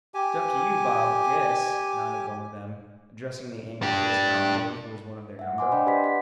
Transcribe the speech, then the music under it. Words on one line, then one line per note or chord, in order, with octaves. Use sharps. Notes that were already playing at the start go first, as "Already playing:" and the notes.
"It's up to you, Bob, I guess," nodded one of them, addressing the angry-faced mountain boy who was one of their number.
G4 G#5
D4 G4
E5 F#5
C5 D#5 F#5 G#5 C6 D6
D4 D5 D#5 G5 B5
G4 B4 D5 E5 C6 B6
F#5 B6